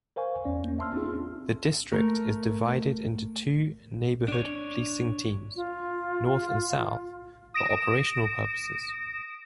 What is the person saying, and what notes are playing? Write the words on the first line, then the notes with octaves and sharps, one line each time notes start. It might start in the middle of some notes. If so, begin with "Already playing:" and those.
The district is divided into two neighbourhood policing teams-North and South-for operational purposes.
A#4 C5 F5 G#5 C#6
E2 C#4 D5
A#3 C#4
E5 A5 C6 E6 F6
C4 D4 D#4 F4 G#4
A3 A#4
D4 C#5
F4
D#6 A#6 D7 E7